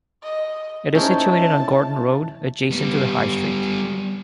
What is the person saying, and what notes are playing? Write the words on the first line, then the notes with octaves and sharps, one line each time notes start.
It is situated on Gordon Road adjacent to the High Street.
D#5
C#4 D#4 E4 C5 C#5 A5
G3 B3